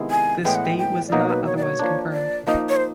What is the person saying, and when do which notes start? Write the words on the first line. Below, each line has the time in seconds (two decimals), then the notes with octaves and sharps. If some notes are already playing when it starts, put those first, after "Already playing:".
This date was not otherwise confirmed.
Already playing: C3 D#3 G#3 B3 E4
0.11 G#5
0.45 A2 E3 G#3 B3 G5
0.55 F#5
0.65 G5
0.78 G5
1.08 D5
1.12 B2 F#3 A#3 D#4 D#5
1.29 B4
1.46 C#5
1.57 D5
1.63 C#5
1.79 F3 A#3 D4
2.13 D5
2.47 F3 A#3 D#4 D#5
2.69 C#5
2.76 C5